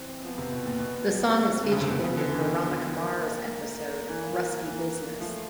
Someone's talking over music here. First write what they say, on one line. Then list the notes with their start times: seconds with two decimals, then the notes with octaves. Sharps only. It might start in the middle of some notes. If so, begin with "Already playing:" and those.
The song is featured in the "Veronica Mars" episode "Ruskie Business".
Already playing: E3 C4
0.24 F3 B3
0.38 C3
0.52 B2
0.66 A#2
0.79 B2
1.34 C4
1.64 D3
1.72 C#3
1.81 C3
1.89 B2 B3
2.04 C#3
2.17 D3
2.31 E3
2.44 D#3
3.00 A#3
4.09 E3
4.65 E3 A#3
5.19 F3 A3